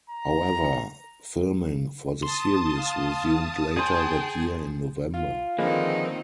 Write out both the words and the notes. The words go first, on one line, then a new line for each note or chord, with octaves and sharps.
However filming for the series resumed later that year in November.
A#5
A5 C6 D#6
F5
G#4 C5 G5 G#5
F4
D3 D#3 F3 G#3 A#3 C4 D#4 B4